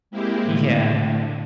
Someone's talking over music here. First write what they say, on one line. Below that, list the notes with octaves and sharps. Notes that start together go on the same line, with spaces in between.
He had.
G#3 A#3 C4 E4 G4
A2 D3